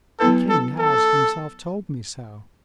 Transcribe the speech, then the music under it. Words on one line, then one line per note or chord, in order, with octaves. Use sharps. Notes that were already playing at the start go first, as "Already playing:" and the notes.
"The king has himself told me so."
F#3 B3 E4 A4 B4
A4
A4